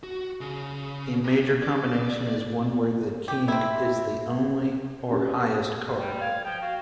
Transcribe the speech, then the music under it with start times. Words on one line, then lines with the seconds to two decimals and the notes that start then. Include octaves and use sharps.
A "major" combination is one where the King is the only or highest card.
0.03 F#4
0.41 C#3
1.24 C3
1.63 D5
3.28 G4
3.48 C4 E4
5.12 C#4 G4 B4
5.99 G3 G5
6.21 F5 G#6
6.44 F3 G5
6.62 F#4 F5